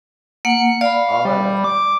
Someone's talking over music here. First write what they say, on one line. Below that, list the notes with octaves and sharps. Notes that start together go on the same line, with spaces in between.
All right.
A#3 F#5 C#7
D5 F5 B5
G3
D6